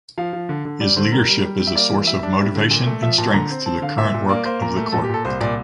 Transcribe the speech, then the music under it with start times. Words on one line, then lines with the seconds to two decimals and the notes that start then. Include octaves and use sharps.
His leadership is a source of motivation and strength to the current work of the Court.
0.18 F3 F5
0.33 F3
0.49 D3
0.65 D3
0.80 G3 D5
0.96 D3 C5
1.12 G3 A#4
1.28 G3
1.44 G3
1.59 G3
1.67 E5
1.75 A#3 D5
1.91 E3
2.07 G3 E5
2.23 D4
2.39 G3
2.55 D3
2.71 A#2
2.87 A3
3.02 F3 E5
3.18 A#2 A5
3.34 D3 A#5
3.50 C4
3.66 C4 A5
3.82 D3 F5
3.98 A#2 E5
4.14 A#2
4.29 A#3 D5
4.45 A#3 C5
4.61 A#2 A#4
4.77 A3
4.92 A#2 A4
5.04 G4
5.09 A#2 A4
5.25 C2 C5
5.41 A#2 D5